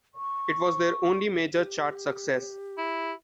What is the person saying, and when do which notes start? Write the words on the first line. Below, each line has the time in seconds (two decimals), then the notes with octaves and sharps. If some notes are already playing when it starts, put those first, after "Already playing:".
It was their only major chart success.
0.15 C#6
1.53 G4
2.77 E4